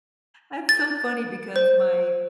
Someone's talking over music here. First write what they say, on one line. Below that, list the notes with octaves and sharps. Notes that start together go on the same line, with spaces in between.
That's so funny because my,
A6
C5